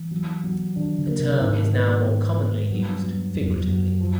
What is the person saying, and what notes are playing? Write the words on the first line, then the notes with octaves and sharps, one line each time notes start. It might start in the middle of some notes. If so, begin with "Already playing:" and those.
The term is now more commonly used figuratively.
Already playing: E3
F#3
F#3
D#3 D4
D3
A#3
C3
G#2 D#3
B3
B3
B3
G2 F#3
F#3
F#2 F#3
F2
F#2
F#3
F3